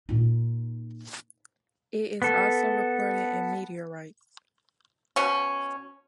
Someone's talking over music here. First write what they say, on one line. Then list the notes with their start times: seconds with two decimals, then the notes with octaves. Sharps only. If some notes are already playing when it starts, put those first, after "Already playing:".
It is also reported in meteorites.
0.09 A#2 D#4
2.22 B3 A4
5.16 B2 C#4